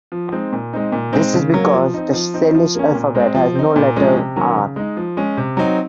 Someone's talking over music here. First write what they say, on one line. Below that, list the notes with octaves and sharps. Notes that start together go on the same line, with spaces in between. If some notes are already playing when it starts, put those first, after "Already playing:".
This is because the Salish alphabet has no letter "r".
F3
G#3 C4 D#4
A#2
G#3 C4 D#4
A#2
G#3 C4 D#4
C#3
F#3 A#3
F3
C4 D#4
F3
C4 D#4
F3
A#3 C#4
A#2
G#3 C4
F3
C4 D#4
A#2
F3 G#3 C#4
C3
D#3 F#3 A#3 C#4
C#3
G#3 D#4
F3
G#3 C#4
C3
F#3 C4 D#4